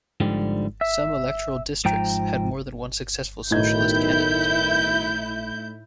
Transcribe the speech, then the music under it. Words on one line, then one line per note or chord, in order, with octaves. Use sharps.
Some electoral districts had more than one successful socialist candidate.
G#2 D3 F3 G3
E5
G#2 F3 G5 A#5
B1 A2 D#3 D#4 E4 G6 G#6